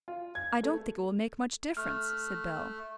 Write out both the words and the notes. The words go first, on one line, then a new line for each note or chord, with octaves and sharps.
"I don't think it will make much difference," said Bell.
F4
G#6
A3
A3 F6